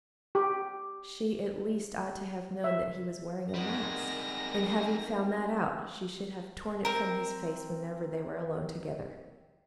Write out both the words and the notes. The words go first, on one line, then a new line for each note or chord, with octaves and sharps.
She, at least, ought to have known that he was wearing a mask, and having found that out, she should have torn it from his face, whenever they were alone together.
G4
E5
G3 G#3 C4 D#4 A#4 F#5 A#6
C4 A#4